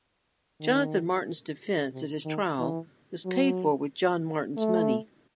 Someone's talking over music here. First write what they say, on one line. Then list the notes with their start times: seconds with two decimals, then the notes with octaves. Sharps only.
Jonathan Martin's defence at his trial was paid for with John Martin's money.
0.60 D#3
1.93 C3
2.25 D#3
2.59 E3
3.25 F#3
4.57 A3